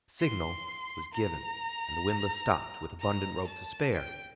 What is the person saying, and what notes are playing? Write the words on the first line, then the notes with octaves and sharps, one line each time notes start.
The signal was given and the windlass stopped, with abundant rope to spare.
C6
A#5
A#5
A5
G5